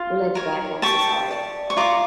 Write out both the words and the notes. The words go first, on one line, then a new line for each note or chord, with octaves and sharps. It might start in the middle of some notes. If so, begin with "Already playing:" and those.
Bullet Bike accessory.
Already playing: F4
A#4 C#5
G4 A5 C#6
D5
C#6
F4 A#5 D6